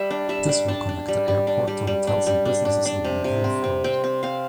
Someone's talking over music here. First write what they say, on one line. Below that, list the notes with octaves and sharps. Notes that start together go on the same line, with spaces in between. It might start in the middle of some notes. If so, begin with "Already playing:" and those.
This will connect the airport to hotels and businesses along Wolf Road.
Already playing: G3 E5
D4
G3 E5
D4
D4 A5
D4
G3
G3
D4
G3
G3
D4
G3
D4
D4
D4
C3
C3
C4
C4
C4 G5
C4
C4 F5